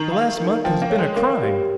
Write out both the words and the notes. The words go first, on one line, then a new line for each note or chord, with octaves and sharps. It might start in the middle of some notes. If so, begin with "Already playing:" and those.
The last month has been a crime.
Already playing: D#3 A#5 C#6
F5
A#4
F3 G5
A#3
C#5
G#3
A#3 A#4
G4